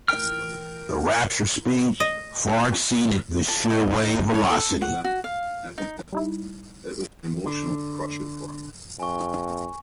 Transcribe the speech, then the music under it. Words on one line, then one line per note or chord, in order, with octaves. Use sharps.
The rupture speed far exceeded the shear wave velocity.
A#4 G5 F6
D#5
A5
D#5
D#4
C#5
A4
F#5
F#4
F5
D#4
G3 D#4 E4
D3
F2 G#5 C#6